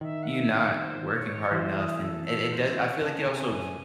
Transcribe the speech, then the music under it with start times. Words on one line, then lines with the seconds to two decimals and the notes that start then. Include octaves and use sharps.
you not working hard enough, and it it does I feel like it also
0.01 D#3 E5
0.23 F#5
0.27 E5
0.52 F#5
0.77 C5
1.14 C#5
1.51 E3 C5
1.77 G#4
2.01 A4
2.27 A4
2.52 C5
2.76 C#5
3.02 C#3 A5
3.27 C3 G#5
3.52 F#2 G#5